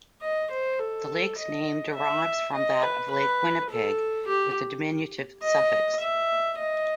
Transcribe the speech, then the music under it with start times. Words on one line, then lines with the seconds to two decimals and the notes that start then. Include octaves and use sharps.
The lake's name derives from that of Lake Winnipeg, with a diminutive suffix.
0.22 D#5
0.50 C5
0.79 A4
1.38 D#5
1.96 E5
2.54 D#5
2.82 B4
3.11 B4
3.69 A4
4.27 G4
5.42 D#5
6.00 E5
6.57 D#5